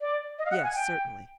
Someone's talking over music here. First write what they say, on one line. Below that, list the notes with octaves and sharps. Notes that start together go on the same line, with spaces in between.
"Yes certainly."
D5
D#5
F5
F#5
G#5
G5